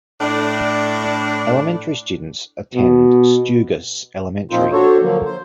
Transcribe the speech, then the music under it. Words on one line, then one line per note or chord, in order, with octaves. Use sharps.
Elementary students attend Stugis Elementary.
A2 D4
B2
A#2 F3 C4 D#4 F4 C5
D4 F#4 A4 C5 C#5
D3 F3 F#3 A#3
C5